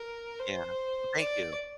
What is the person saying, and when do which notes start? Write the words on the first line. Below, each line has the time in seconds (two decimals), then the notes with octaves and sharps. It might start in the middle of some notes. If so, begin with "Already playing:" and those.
Yeah, well thank you.
Already playing: A#4
0.39 C5
1.19 D5